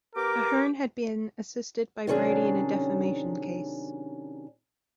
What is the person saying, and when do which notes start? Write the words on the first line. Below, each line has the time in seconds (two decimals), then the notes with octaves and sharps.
Ahern had been assisted by Brady in a defamation case.
0.15 B3 G4 A#4 D6
2.07 C3 D#3 F#3 C#4 D4 G#4